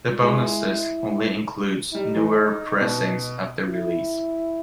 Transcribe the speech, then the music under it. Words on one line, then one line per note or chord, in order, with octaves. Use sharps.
The bonus disc only includes newer pressings of the release.
G#3 E4
G3 D#4
E3
B2
E4